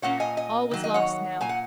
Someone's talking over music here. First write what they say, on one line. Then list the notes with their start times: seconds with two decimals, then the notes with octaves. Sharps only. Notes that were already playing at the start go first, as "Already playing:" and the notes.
All was lost now.
0.02 A#2 A#3 C#4 C#5 F#5
0.20 D#5 G#5
0.37 D#5 G#5
0.71 D#3 F#3 A#3
0.84 D#5
0.94 C#5 F#5
1.41 A#2 A#3 G#5
1.49 F#5